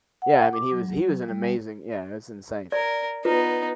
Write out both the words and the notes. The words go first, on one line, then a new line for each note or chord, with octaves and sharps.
Yeah, I mean, he was he was an amazing yeah, that's insane.
F#5
D6
F#3
G3
A#4 D5
B3 D#4 F4 B4